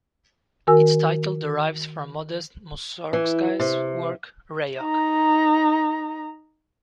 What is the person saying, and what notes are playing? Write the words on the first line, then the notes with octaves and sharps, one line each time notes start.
Its title derives from Modest Mussorgsky's work "Rayok".
D#3 F#4 A#4 G#5 E6
E3
C3
D#4 A#5